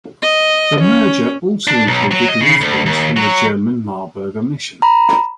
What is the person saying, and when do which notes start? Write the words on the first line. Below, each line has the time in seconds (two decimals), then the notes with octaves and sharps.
The merger also included Lutherans from the German Marburger Mission.
0.22 D#5
0.81 C#4
1.68 D4
1.87 B1
2.11 F#3
2.28 D#5
2.41 C#3
2.61 D2
2.86 D#2
3.17 F#3
4.82 A#5 B5